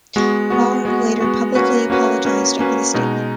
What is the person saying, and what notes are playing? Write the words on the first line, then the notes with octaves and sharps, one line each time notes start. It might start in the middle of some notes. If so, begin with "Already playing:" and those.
Maher later publicly apologised over the statement.
G#3 B3 F#4
G#3 B3 F#4
G#3 B3 F#4
G#3 B3 F#4
A#3 C#4 F#4 B4
A#3 C#4 F#4 B4
A#3 C#4 F#4 B4
A#3 C#4 F#4 B4
B2 G#3 D#4